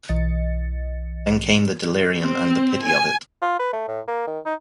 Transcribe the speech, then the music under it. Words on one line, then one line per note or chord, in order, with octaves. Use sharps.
Then came the delirium and the pity of it.
B1 E3 D#5 A6 C#7
C4
G#5
F4
B4
A3
A2
A#3
D#3
D#4